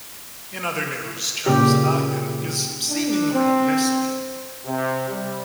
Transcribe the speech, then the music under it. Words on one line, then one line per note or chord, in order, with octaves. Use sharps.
In other news, Charles Ogden is "seemingly" missing.
A#2 C#3 G4
D4
C4
C3
G3